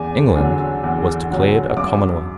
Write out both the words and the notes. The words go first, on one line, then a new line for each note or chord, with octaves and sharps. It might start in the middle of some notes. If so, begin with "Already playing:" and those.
England was declared a commonwealth.
Already playing: E2 G#5
D3 F#3
E2
D3 F#3
F#2 D6